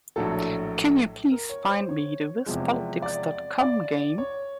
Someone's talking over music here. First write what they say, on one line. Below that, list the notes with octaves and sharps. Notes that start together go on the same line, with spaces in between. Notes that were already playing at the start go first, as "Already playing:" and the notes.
Can you please find me the Wispolitics.com game?
A#1 A2 F#3 A4
A#4
C#5
C5
C#5
E2 C3 F3 G#3
D5
D5
C#5